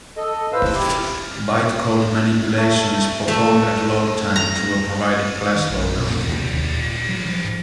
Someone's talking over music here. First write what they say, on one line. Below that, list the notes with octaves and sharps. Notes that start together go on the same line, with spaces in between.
Bytecode manipulation is performed at load-time through a provided class loader.
A4 D#5
A2 B4 C5 F5 E6
E4 G4
F6
A3
A3
A#5
D#3
A#1
A#2
D#2
C3
D#2
A#2
F#3
F3
G#2